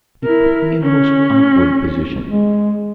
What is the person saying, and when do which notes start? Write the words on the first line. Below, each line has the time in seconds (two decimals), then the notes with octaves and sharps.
It put me in a most awkward position.
0.24 E4 A#4
0.82 C#4
2.28 G#3